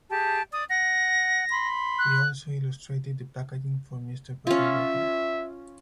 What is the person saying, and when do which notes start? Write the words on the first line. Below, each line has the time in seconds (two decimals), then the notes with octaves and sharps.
He also illustrated the packaging for Mister Potato Head.
0.09 G4 G#4 A5
0.51 D5 D#6
0.70 F#5 A#6
1.51 B5 C6
1.99 F#6
4.47 C#4 F4 E5